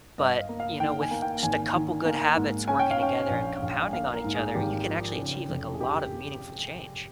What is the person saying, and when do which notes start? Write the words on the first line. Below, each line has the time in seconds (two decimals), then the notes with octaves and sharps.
but, you know, with just a couple good habits working together and compounding on each other, you can actually achieve, like, a lot of meaningful change.
0.18 G2 D#5
0.39 F5
0.49 A#3
0.60 F5
0.80 D#3 G5
1.01 G#5
1.11 A#3
1.22 G5
1.43 G#1 G#5
1.74 D#3
2.05 A#3
2.37 G#2
2.68 C#4 G#5
2.80 G5
2.91 F5
2.99 C#4 G5
3.30 A#1
3.62 A#1
3.93 A#3 F5
4.14 A#4
4.24 G#2
4.34 G#4
4.55 G#1 G4
4.87 F3
5.18 C#3
5.49 F1
5.74 G#4
5.80 G4